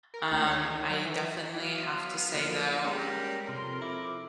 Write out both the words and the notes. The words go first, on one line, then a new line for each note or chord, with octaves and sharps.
Um, I definitely have to say, though,
A#4
D2
C#5
D#3
F#3
E3
F#3 B3 F5
F3 A#3
G3 G#3 A#3 C#4 A#4
F2 C3 C6
E4 D6